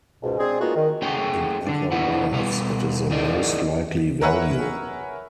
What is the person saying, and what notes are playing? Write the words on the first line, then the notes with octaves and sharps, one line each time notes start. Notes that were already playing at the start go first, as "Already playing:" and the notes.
In other words, it is a most likely value.
C#2 G#2 B2
G#3 C4 D4 G#4
G#3 A#3 B3 D#4 F4 F#4
D#3
A3 C#4 F#4 G#4 C#5 G5
D3 D4
D4 E4 B4 D5 F#5
B2 G3 B4 F5
D#4 E4 G#4 A#4 D5 D#5
A#4 B4 C#5 E5 F#5 G#5